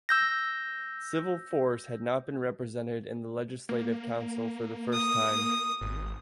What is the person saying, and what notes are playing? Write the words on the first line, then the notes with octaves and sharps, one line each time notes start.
Civil Force had not been represented in the Legislative Council for the first time.
E6 G6 A#6
A#3
D#6
G#1